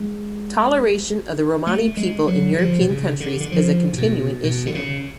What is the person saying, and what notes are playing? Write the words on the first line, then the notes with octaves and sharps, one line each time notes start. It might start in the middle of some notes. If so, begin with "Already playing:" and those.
Toleration of the Romani people in European countries is a continuing issue.
Already playing: G#3
A3
G#3
F#3
D3
F3
B2
C#3
D3
D3
F3
A2
B2
B2
D3
C#3